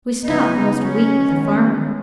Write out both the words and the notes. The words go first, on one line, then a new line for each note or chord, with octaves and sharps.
We stopped 'most a week with a farmer.
C#3 F#3 B3 D#4
C#4
D#3 G#3 B3